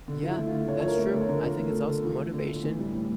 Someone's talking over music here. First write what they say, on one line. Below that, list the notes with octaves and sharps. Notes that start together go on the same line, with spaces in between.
Yeah, that's true, I think it's also motivation
D3
F3
E4
A3
D3 F4
D3 C#5
C#5
F3 A#4
A3
D3 A4
C#5
D3 A#4
F3 A#4
A3
D3 A4
D3
F3
A3
D3
A2
E3
G3
A2